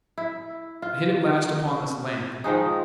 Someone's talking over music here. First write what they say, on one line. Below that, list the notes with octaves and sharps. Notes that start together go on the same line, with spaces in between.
I hit at last upon this lamp.
E4
F4
D#3 F3 G#3 D#4